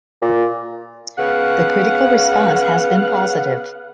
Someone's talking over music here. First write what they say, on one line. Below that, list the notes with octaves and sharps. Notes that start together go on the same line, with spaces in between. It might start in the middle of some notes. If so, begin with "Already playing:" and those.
The critical response has been positive.
A#2
C#3 B3 F5 F#5